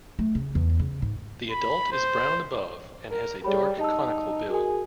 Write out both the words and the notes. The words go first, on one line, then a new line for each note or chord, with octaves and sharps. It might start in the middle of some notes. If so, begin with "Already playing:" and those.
The adult is brown above and has a dark conical bill.
A3
C#3
E2
C#3
G#2
B5
C5
A#4
G3 G#4 C#5 B5
D#4 A5 E6
F#4 G#4 A#4 G#5